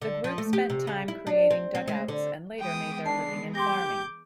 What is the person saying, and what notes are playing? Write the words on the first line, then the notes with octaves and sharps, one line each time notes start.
The group spent time creating dugouts and later made their living in farming.
D3
F3
A3
G4
C3
C#3
E4
D4
C4
C4
G#3
D3
E3 G#3 B3 G5 D#6
D4 A5 C7
G4 C6 D6 G6 A#6